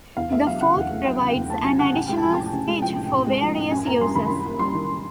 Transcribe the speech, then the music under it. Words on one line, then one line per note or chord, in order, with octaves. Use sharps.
The fourth provides an additional stage for various uses.
E2 F5
A3 E5
F#3 F5
C#3 F#5
E2
A3
F#3 G5
C#3
E2
A3 A5
F#3 G#5
C#3 F#5
A1 G5
G#3 G5
A5
F3 G#5
A2
A1
G#3
F3 G5
A2
A1
G#3
F3
A2
F#2 G#5
A#3 A#5
G3 C6
D#3 B5
F#2
A#3
G3 C6
D#3